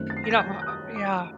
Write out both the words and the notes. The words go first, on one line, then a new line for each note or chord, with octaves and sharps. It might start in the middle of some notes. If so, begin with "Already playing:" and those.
you know, ho oh yeah.
Already playing: F#2 D#3 A3 C4 F#6
A6
C7
A#6
A6
G6
F#6
D#6
D6